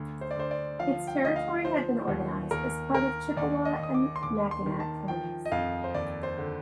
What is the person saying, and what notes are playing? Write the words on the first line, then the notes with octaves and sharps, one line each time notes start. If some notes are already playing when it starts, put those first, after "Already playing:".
Its territory had been organized as part of Chippewa and Mackinac counties.
Already playing: D2
C5
D5
D2 C5
D5
F3 F5
G5
D2 D#5
F5
F3 C5
D#2
D#2 A#4
D#2 A#4
D#2 D5
D#5
D#2 D#6
D6
C6
D#2 D6
C6
D#3
A5
F3 G5
D#5
F2 F5
C5
D#2 D5
C5
D3